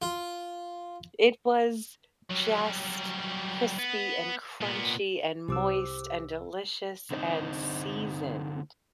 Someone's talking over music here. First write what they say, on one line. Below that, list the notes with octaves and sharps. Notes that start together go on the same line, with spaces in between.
It was just crispy and crunchy and moist and delicious and seasoned.
F4
F#3 G3
B3
A#2 B3
C2 G4 C5 D6 E6
D3 C4 D#4